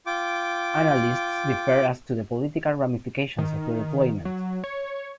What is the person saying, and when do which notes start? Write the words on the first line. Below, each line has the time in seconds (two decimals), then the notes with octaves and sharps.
Analysts differ as to the political ramifications of the deployment.
0.06 F4 G5 D6
3.39 D#3
4.25 F#3
4.64 C#5